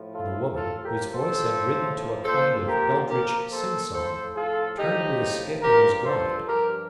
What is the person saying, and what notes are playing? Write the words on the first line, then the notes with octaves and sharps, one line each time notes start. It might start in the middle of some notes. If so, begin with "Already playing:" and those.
And the woman, whose voice had risen to a kind of eldritch sing-song, turned with a skip, and was gone.
Already playing: A2 F3
F4 A4
A2 F3 F4 A4
G4 A#4
A4 C5
A2 F3
A#2 F3 A4 C5
G4 A#4
A#2 F3 G4 A#4
A4 C5
A2 F3 A4 C5
F4 A4
A2 F3 D#4 G4
G2 F3 G4 A#4
A4 C5
G2 F3 G4 A#4